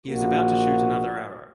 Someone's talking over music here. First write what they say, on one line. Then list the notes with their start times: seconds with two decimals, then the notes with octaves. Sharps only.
He is about to shoot another arrow.
0.10 A#1 A#3 F#4